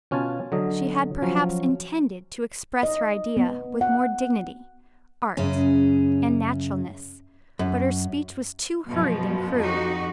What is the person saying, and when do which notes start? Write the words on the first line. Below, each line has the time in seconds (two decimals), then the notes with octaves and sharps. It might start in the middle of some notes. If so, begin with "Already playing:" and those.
She had perhaps intended to express her idea with more dignity, art and naturalness, but her speech was too hurried and crude.
0.11 B2 C#4 F4 G#5 A5
0.52 D3 F#3 D#5
1.22 F3 F#3 C#4
2.83 D#5
3.37 B3
3.81 F#5
5.37 F#2 C#3 C#4 G#4
7.59 F#2
8.89 F#2 B2 F3
9.59 F2 D#4 F#4 G4